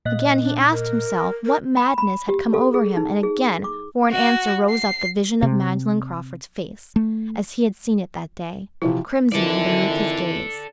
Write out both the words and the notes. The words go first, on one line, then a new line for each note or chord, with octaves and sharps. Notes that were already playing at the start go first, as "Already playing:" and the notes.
Again he asked himself what madness had come over him, and again for an answer rose up the vision of Magdalen Crawford's face as he had seen it that day, crimsoning beneath his gaze.
A#2 D#5 F#6
D4
A#4
A#4
B5
B5
G4
A4
G#4
D#4
G#4
D6
F#4
C7
C3
A3
C3 E3 F3 E4
F2 D#3 E3 A4 D5